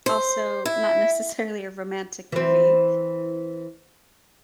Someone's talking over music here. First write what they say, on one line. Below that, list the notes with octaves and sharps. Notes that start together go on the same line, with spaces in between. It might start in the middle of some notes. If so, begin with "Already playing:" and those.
also not necessarily a romantic movie.
C5
E4
E3 C4